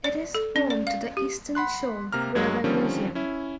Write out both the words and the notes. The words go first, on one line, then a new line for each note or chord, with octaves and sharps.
It is home to the Eastern Shore Railway Museum.
D5
A4
C#4
D5
F5
G4
F#5 B5 C6 F#6
C3 A#3 A#5 F6
G2 F#3 G#3 G#6
D3 D#3 F3 G3 C4 C#4
C#4 E4